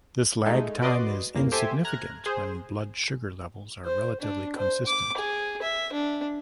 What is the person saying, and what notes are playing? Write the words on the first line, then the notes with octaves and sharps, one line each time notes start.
This lag time is insignificant when blood sugar levels are relatively consistent.
G#3 A3 D#4
F#4 B4 D5 D#5 C6 D6
G1 E2 A#3
G4 A4 C5 E5 G#5
A#5 F6 F#6 G#6 A#6
G#4 C5
C5
D4
C5
D6
G#4
E5
D4